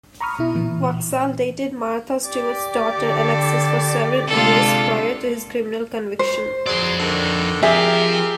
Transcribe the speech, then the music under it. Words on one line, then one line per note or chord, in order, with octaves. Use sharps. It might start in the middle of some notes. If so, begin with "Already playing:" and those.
Waksal dated Martha Stewart's daughter, Alexis, for several years prior to his criminal conviction.
A#5 B5 C#6 D#6 F6
B2 E4
A#2 E3
G4 D5
D3 A4
C3 G#3 D4 F4 A4
C5
F2 F#3 G#4 D5 C6
D3 D#3 D4
F3 C4 F4 G4 G#4 A#4 E5